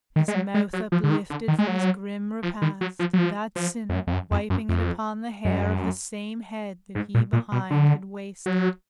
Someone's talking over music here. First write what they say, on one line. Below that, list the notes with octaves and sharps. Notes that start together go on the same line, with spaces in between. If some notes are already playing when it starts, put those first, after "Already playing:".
His mouth uplifted from his grim repast, That sinner, wiping it upon the hair Of the same head that he behind had wasted.
D#3
G#3
F#3
G#3
F#3
F3
D3
D#3
D3
D#3
G#3
F#3
F3
D#3
F#3
F3
F#3
F3
F3
F2
F#2
F2
F#2
F2
F#2
F2
F#2
G#2
A#2
A#2
B2
D3
F#3